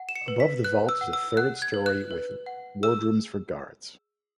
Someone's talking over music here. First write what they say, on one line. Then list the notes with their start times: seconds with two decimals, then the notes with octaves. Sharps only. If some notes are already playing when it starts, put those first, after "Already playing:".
Above the vault is a third story with wardrooms for guards.
Already playing: F#5
0.09 E7
0.15 C#7
0.28 B4
0.40 B6
0.64 B4 F#6
0.89 E6
1.01 F#5
1.13 E6
1.37 F#5 F#6
1.62 G#6
1.74 B4
1.86 F#6
2.11 B4
2.46 F#5
2.83 G#4 E6